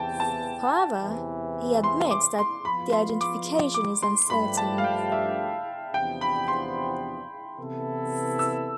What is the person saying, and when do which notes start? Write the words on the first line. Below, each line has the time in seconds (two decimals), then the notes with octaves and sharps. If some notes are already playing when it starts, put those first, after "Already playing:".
However, he admits that the identification is uncertain.
Already playing: E2 C3 E3 B3 G5 A5
0.20 A5
1.01 E2 C3 E3
1.84 C6
2.11 D6
2.39 C6
2.65 F3 B3 F4 B5
2.92 C6
3.21 D6
3.74 D6
4.03 C6
4.30 G2 F3 A3 D4 G4 B5
4.57 A5
4.78 F5
4.84 G5
5.12 E5
5.94 E2 C3 F3 B3 D4 G5
6.21 B5
6.48 C6
7.58 C3 E3 B3 E4 A4
8.39 E6